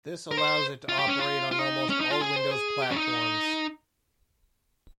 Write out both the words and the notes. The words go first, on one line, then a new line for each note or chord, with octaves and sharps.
This allows it to operate on almost all Windows platforms.
A#4
C5
F4
G4
C#4
F4
F4
D#4
C#4
D#4
F4
G#4
C5
G#4
G4
C#4
D#4